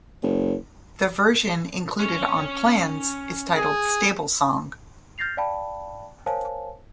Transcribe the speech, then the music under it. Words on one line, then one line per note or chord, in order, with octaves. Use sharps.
The version included on "Plans" is titled "Stable Song".
F#1
C#4 C#5
G#4
F6 G6 A6 A#6 C7 F7
D5 F5 G5 A5 B5
A#4 C5 C#5 F5 G#5 A5